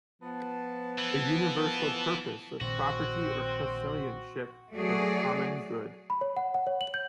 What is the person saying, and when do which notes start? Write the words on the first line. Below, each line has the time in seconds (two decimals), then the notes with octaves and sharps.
The Universal Purpose of Property or Custodianship for the Common Good.
0.22 F3 B3 A5
0.98 E3
2.61 A#1 A#2 D#3 C4 F#4
4.74 F#3 A3 F#4 G#4 D5
6.10 B5
6.21 C#5
6.37 F#5
6.54 F#5
6.67 C#5
6.81 F#7
6.94 G6